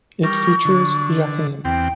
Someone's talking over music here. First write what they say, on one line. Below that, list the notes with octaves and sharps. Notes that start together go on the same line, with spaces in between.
It features Jaheim.
G3 A#4 C#6
D3
E2 C4 G5